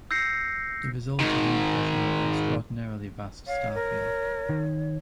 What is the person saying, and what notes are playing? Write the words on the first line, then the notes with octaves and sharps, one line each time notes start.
The result is an impression of an extraordinarily vast star field.
E6 G6 A#6 C7 C#7
G#2 D#3
C#5 F5
A#4
D#3